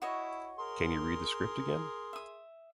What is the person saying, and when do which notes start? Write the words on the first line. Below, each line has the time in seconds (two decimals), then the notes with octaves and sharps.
Can you read the script again?
0.02 E4 F#4 C#5 D#5
0.58 G#4 A#4 C6
2.13 E5 D#6